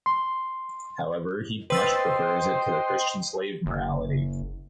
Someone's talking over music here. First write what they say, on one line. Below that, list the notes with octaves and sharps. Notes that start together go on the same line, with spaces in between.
However, he much prefers it to the Christian slave-morality.
C6
B4 C5 D#5 G5 C6 E6 A6
F#1